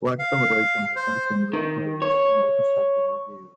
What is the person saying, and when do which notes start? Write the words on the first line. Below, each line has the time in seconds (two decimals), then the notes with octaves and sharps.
"Black Celebration" has since been reappraised in retrospective reviews.
0.19 F5
0.96 C5
1.53 D#3
2.02 C#5